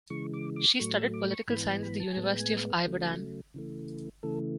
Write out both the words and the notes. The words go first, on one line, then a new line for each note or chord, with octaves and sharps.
She studied political science at the University of Ibadan.
C#3 E3 G#3 C#6
D6
D6
A2 F#3 A3 C#6
E6
D6
C#6
G#2 E3 B3 B5
A5
B5
A5
G#5
A2 G#3 B3 A5
G#5
C#3 F#3 A3
C#3 E3 A3
C#3 E3 A3 A4